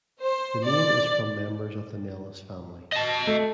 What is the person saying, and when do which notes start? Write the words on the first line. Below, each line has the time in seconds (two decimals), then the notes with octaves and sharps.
The name is from members of the Nellis family.
0.21 C5
0.65 D5
2.93 D#5 A5
3.27 A3